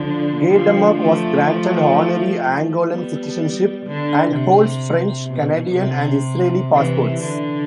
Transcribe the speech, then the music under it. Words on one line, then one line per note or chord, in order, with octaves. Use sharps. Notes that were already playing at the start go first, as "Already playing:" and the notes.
Gaydamack was granted honorary Angolan citizenship and holds French, Canadian and Israeli passports.
Already playing: D3 F3
D3 F3
F3 A3
G3 B3
D3
C3
B2
C3
C3 E3
D3